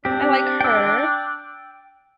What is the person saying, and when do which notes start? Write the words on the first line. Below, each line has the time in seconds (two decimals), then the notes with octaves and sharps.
I like her.
0.05 C4 D4 G4
0.61 G5 E6